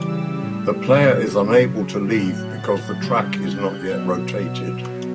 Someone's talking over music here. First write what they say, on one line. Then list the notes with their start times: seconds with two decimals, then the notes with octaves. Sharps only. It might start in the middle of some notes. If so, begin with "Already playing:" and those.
The player is unable to leave because the track is not yet rotated.
Already playing: C#3 E3 G3 D6
0.08 E6
0.38 A2 G3
1.25 C#3 F#3
2.13 A2 F#3 F#6
2.58 A6
3.01 C#3 G3 G6
3.45 F#6
3.90 B2 F#3 E6
4.77 B2 F#3